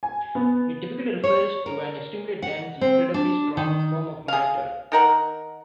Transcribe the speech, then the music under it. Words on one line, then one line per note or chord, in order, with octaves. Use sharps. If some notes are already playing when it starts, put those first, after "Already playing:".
It typically refers to an extremely dense, incredibly strong form of matter.
G#5
B3
C#5
A#4
F#5
C4
D4
D#3
G#4 F5
D#3 A#4 F#5